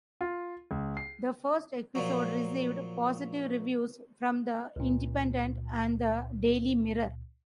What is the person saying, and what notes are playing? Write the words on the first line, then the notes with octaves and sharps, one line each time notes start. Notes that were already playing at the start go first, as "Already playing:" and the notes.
The first episode received positive reviews from The Independent and The "Daily Mirror".
F4
C#2
C7
A#2 F3 F#3
C#2 A#2